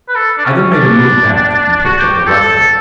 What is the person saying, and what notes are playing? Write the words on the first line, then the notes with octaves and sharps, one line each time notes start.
I then made him move back, and picked up the rifle.
B4
A4
D4
C#4
C#4
D4
F#4
G4
G4
A4
A4